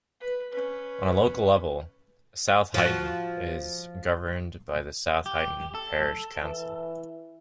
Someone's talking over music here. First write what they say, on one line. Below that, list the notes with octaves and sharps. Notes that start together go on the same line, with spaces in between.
On a local level, South Heighton is governed by the South Heighton Parish Council.
B4
C#4 B4
F3 F#4
G4
A4
E3